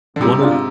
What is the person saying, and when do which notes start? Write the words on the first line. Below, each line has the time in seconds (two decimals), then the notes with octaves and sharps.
one of
0.16 D3
0.21 G#2 C3 G3
0.42 D4 F4
0.51 C3